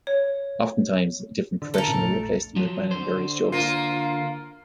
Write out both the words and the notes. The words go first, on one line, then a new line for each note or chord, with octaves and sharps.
Oftentimes, a different profession will replace the milkman in various jokes.
C#5
D3
A4 A#4
A#2 C#3 E3
A#1 E2 A3
F3 F#3
D3 C5
A#3 F4